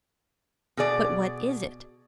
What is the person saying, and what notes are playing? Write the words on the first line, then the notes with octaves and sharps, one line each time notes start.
"But what is it?"
B2 G#4 D5